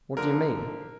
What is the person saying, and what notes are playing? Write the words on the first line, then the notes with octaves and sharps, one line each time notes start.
"What do you mean?"
D3 F3 A#3 A#4